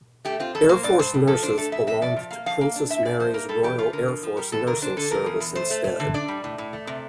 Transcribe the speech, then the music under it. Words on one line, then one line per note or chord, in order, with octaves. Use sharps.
Air Force nurses belonged to Princess Mary's Royal Air Force Nursing Service instead.
A3 G4
C4 F4
F2 A4
A#3 C5
G2 D5
G2 C5
A2
F3 A4
D4 C5
A3 A4
F2 E5
C3 E5
F3 D5
F3
A#3 F5
F3 F5
A#3
D4
A2 E5
A2 D5
F3 C5
A#3 A#4
G3 A4
E3 G4
A3 F4
D3 A#4
E2
F3
G3 A#4
E2 A4
D3 A#4
D4 C5
D3 A4
F3 A#4
E2
E2
A3 C5
A3
A3
D3
D4 D5
G3
A2
A2
A3
C3